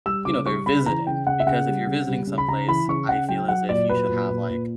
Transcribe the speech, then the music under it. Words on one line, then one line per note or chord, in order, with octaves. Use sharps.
you know, they're visiting. Because if you're visiting someplace, I feel as if you should have like
G3 E6
C#3 D6
G3 C#6
C#3 B5
E3 A#5
C#3 G5
C#3 F#5
E5
C#3 F#5
G3
C#3
G3
C#3
B5
C#3 A#5
E3 B5
C#3 C#6
C#3 F#5
F#3 G5
F#3 F#5
A#2 D5
F#3 B4
A#2
A#2
A#2